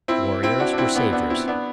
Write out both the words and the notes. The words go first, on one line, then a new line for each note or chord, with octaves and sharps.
Warriors were saviours.
C4 E4
C4 E4
D4 F#4
D4
C4 E4
B3 D4
B3 D4
C4 E4
B3 D4